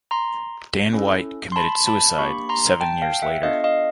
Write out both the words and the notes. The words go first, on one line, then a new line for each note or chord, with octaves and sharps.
Dan White committed suicide seven years later.
A#5 C6
C#4 E4 A4
C6
A5 B5
A5 B5
A#3 D4 G4 B5 C#6
A#5 C6
G5 A5
F5 G5
E5 F#5
B3 D4 F4 A4 D#5 F5
D#5 F5